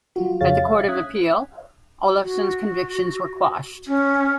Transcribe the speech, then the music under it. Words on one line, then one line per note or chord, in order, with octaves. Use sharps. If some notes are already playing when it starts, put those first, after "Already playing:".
At the court of appeal, Olofsson's convictions were quashed.
F#3 F4 F#4
F2 C#3 G#4 C#5 F5 A6
E5 F5
C#4 D#6 F#6 G#6 B6
F#4
C#4